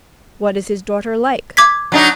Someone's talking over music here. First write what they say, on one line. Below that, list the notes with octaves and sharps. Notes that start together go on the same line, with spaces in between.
"What is his daughter like?"
D6 G#6 B6
F#3 D4 D#4